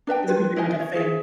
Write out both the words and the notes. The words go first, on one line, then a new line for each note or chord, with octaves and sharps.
'Cause it became like a thing.
D4 B4 E5 G5
F4 B4
B4
E4 C5 D#5 G#5
C#5
G#4 E5